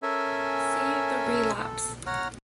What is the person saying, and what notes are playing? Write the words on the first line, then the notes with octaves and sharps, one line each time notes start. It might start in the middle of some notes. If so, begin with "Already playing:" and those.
See "The Relapse".
C#4 A4 A#4 E5 G#5
A4
C#5 F#5 A#5 F6